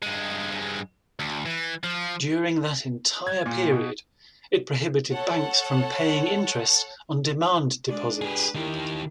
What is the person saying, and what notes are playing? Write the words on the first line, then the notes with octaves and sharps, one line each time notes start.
During that entire period, it prohibited banks from paying interest on demand deposits.
G2 G#3
D2
E3
F3
G#6
A#2
B2
A4 C#5 F#5
G#3 D4 D5
G4 G#4 B4
D#3 E4 G4 A#4